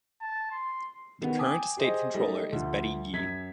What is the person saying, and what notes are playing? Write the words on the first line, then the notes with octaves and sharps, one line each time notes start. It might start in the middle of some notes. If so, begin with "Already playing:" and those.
The current state controller is Betty Yee.
A5
C6
D#3 B3
G5 G#5 D6 D#6
G4 G#4 C5 D#5
G3 A3 D#4 D#5
D2 F3
F#2 G#6 B6